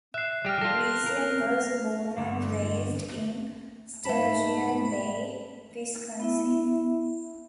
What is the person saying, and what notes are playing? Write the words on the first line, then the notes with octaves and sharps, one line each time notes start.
Greisen was born and raised in Sturgeon Bay, Wisconsin.
E5 F#6 C7
G3 G4 F6 A#6 F7
F4 A4 A#6 F7
A#4
G2 D3
G#2 A3 A5 B5
B3 E4 E5